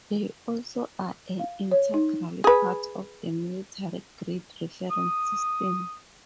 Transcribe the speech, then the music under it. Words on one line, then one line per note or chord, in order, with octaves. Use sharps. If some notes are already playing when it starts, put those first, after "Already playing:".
They also are an integral part of the military grid reference system.
F5
C#5
D#4
G#4 B4
D#6